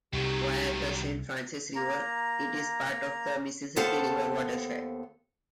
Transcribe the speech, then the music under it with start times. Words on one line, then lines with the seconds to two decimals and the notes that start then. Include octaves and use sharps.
Via the Saint Francis River, it is part of the Mississippi River watershed.
0.13 C2 C3 D#3 F#3 G4
1.75 A#3 A#5
3.76 D#2 B3 A4 C5 F5 A5